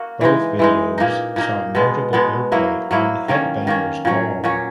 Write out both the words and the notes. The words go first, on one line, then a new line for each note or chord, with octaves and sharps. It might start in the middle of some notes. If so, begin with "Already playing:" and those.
Both videos saw notable airplay on "Headbanger's Ball".
Already playing: A#3 F#4
E3 G#3 D#4
E3 G#3 D#4
A#2 A#3 D#4
A#2 A#3 D#4
B2 G#3 B3
B2 G#3 B3
F#3 A#3 E4
F#3 A#3 E4
D#3 A#3 C#4
D#3 A#3 C#4
A#2 F#3 C#4
A#2 F#3 C#4